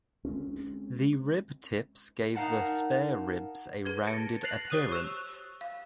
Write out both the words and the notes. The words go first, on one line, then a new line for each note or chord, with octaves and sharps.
The rib tips give the spare ribs a rounded appearance.
G#3 A3 C4 C#4
D#4 A#4 F5 F#5 A5
G#4 B4 G#6
A5 A6 A#6 C#7 D7
F#6 A6 A#6 C7 F7 F#7
G4 C5 C#5 D#6 F#6 D#7
C#6 E6 F#6 E7 F7
F5